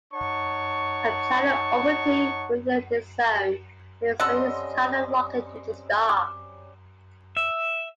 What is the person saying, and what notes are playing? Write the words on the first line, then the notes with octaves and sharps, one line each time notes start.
A planet orbiting within this zone may experience tidal locking to the star.
D#4 C#5 F#5 A5 C#6
G3 C4 C#4 A4 D#5 F#5 C6 E6
D6
E5